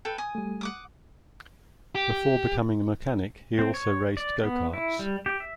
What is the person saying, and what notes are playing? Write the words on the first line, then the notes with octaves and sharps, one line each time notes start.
Before becoming a mechanic he also raced go-karts.
A4 B4 G5
G#5 D#6
G3 A3
F#5 D6 D#6
G4
C4
C#5
D5
B3
E4
G3
G4
E5